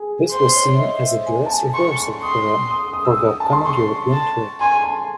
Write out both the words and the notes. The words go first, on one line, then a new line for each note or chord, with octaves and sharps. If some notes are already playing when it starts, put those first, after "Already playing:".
This was seen as a dress rehearsal for the upcoming European tour.
Already playing: G#4
C5 C6
C#5
E5
D#5
E5
G#5
A5
G#5
C6 C#6
C#6
C6 D#6
D#6
D#6
E6
D#6
A5
C6
C6 C#6
A5
G#5 C6
A5